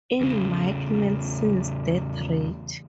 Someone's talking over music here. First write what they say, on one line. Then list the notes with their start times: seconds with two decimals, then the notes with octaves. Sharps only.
In Mike Nelson's Death Rat!
0.21 E2 C#3